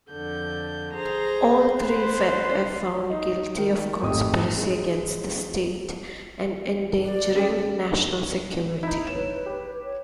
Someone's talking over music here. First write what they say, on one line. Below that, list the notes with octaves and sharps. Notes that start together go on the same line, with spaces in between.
All three were found guilty of conspiracy against the state and endangering national security.
F2 D3 G6
G#4 C5 A#5
B4 C5 C6
D#4
D#3
G#1 F2 A2 G4 D#5 D#6
G#3
D5
C#4 G4 G#4
D#4 E4
B4 C#5 E7
G4
C#5